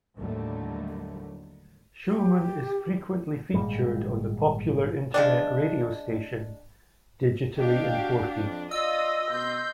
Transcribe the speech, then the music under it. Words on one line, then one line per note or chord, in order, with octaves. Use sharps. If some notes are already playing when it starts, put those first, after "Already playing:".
Shulman is frequently featured on the popular internet radio station, Digitally Imported.
D#2 A2 D3 F#3 G3 A3
G4
G#1 A#2 G3 G#3
C#3 G#3 D4
D4 G4 D#5 F5
F#4
F2
F4 D5 D#5 D#6 E6
B2 C6 G6